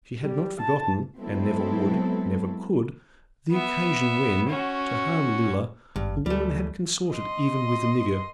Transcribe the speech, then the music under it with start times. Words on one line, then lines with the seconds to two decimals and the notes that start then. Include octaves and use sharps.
She had not forgotten--and never would--never could--the occasion when, to harm Lilla, the woman had consorted even with the nigger.
0.22 G3
0.61 A5
1.19 F#3 G#3 B3 C4 E4 A4
3.51 B3 E5
4.49 C#4 F#4
5.96 G#1 G2
6.26 D2 G3 A3
7.11 D#5 C6